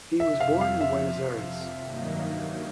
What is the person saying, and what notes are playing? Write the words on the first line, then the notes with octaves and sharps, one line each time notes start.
He was born in Buenos Aires.
F2 C3 F3 E5
F5
F5
E5
G2 D#3 F#3 A#3 D#4